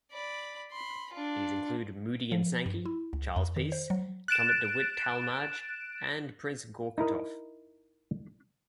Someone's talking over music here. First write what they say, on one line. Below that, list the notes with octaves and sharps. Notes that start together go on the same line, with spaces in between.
These include Moody and Sankey, Charles Peace, Thomas De Witt Talmage and Prince Gortschakoff.
D5 B5
B5 C6
D4 F4
F3
G2
E4
C#2
F2
D#3
C5
F#3
F#6 A6 D7 E7
D#4 E4 A#4 D#5